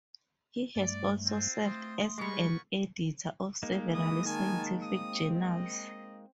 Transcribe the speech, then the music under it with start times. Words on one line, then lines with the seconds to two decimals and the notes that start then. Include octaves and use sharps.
He has also served as an Editor of several scientific journals.
0.76 G2 G3 A3 D5
1.26 C4 F4 C5
1.64 A3 C6 D#6
2.18 G3 G#3 A#3 B3 C#6
3.63 G#3 A#3 D#4
3.94 E3 D#6
4.26 D#3 G#5 A5
4.82 C4 D#6
5.36 D#5